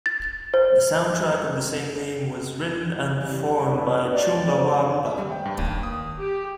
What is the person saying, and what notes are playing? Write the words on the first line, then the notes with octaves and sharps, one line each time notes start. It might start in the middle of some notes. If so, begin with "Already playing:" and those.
The soundtrack of the same name was written and performed by Chumbawamba.
A6
C5
E3 G3
D4 E4 B4 C#5
F#3 G4 B4 D5
D2 F3 F#3 C4 C5
E5
G3
G5
G2
D#2
D#6
G4